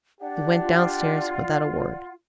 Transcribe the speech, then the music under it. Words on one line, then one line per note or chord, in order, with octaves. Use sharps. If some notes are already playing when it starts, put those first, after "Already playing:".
They went down stairs without a word.
D4 G4 D5 F#5
F4